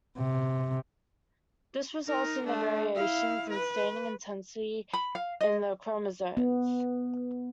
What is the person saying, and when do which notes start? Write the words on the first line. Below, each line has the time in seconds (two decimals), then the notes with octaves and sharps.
This results in the variations in staining intensity in the chromosomes.
0.17 C3
2.06 D#4 A#4
2.45 A3 D4
2.95 E4 F5
3.50 B4
4.93 B5
5.15 F5
5.41 D#5
6.37 B3